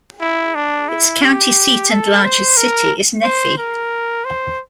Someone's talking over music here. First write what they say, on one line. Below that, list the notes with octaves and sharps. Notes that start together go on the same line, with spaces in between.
Its county seat and largest city is Nephi.
E4
D4
E4
G4
A4
C5
A#4
C5
A#4
C5